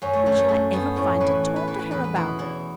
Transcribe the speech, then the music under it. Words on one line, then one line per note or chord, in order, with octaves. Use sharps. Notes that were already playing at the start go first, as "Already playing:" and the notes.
What shall I ever find to talk to her about?
F#2 C#4
A3
F#2 A3
A3
F#2 A3
F#2 B3
A2 C#4
E3 B4
E3
B4
E3 B4
B4
E2 B4
B4
B2 E4
E2 E4